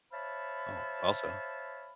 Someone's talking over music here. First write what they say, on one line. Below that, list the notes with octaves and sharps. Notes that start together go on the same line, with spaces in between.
Oh, also
C5 C#5 E5 F5 A5 B5